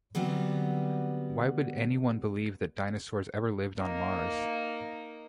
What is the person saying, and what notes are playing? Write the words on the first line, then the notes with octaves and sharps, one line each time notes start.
Why would anyone believe that dinosaurs ever lived on Mars?
D3 F#3 G3 B3 C4
A#3 D#4